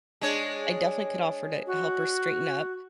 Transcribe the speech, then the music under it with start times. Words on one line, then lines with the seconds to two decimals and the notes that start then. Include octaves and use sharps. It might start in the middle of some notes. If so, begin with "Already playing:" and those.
I definitely could offer to help her straighten up.
0.21 G#3 D4 C#5
1.67 F#4